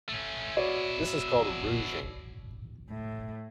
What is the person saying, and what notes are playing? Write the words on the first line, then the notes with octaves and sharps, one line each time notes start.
This is called rouging.
A3 C#4
B2 E4 F#4 C#5 D5
A2